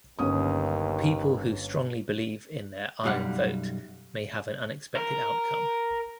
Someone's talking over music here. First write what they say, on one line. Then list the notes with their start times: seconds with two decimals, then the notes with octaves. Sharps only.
People who strongly believe in their "iron vote" may have an unexpected outcome.
0.19 G1 D#2 C#4 D#6
3.04 B1 F#2 G3 F5 F#5
4.96 A#4